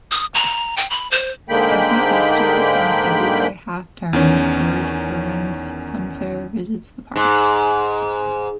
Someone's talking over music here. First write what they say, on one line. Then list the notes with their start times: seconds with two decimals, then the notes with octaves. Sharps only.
Every Easter and February half-term George Irvin's Funfair visits the park.
0.11 D#6
0.34 A#5
0.77 G5
0.90 B5
1.11 C5
1.49 G#2 D3 G#3 A#3 G5 B5
4.13 E2 D#3 C#4
7.16 G#2